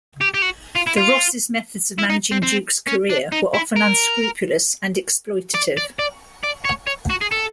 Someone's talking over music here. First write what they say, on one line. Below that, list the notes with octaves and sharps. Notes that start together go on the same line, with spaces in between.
The Rosses' methods of managing Duke's career were often unscrupulous and exploitative.
G4
G4
F#4
F4
E4
F4
E4
D#4
C4
C4
C#4
D4
D#4
E4
A#4
D5
D5
D5
D5
C#5
C#5
F#4
G#4
A4